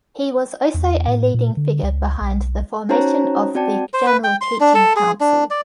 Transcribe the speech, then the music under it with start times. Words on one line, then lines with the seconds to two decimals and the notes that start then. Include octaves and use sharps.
He was also a leading figure behind the formation of the General Teaching Council.
0.74 E2
1.08 A2
1.34 A#2
1.57 D3
1.83 C#2
2.21 B1
2.89 C#4 D#4 F#4 C5 C#5 A#5
3.55 C4 F#4 D5 G5 A5
3.94 C5
4.06 B4
4.24 G5
4.41 C6
4.60 D4
4.75 A4
4.96 G#4
5.20 D4
5.51 D5